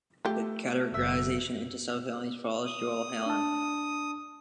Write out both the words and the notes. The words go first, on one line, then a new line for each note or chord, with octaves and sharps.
The categorization into subfamilies follows Joel Hallan.
A3 F4 G4
F#1 E5
D#6
D4 A5